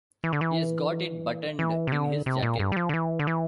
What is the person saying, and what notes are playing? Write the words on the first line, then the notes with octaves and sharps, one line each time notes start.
He's got it buttoned in his jacket.
E3
D3
E3
E3
C3
D3
C3
A#2
G2
G3
F3
D3
E3
D3
E3